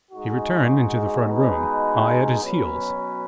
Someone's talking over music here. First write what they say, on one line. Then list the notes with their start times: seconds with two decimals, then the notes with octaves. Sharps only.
He returned into the front room,--I at his heels.
0.11 G#2 G#3 D#4 F#4
1.26 B2 G#3 D#4 B4
2.41 B2 F#3 C#4 B4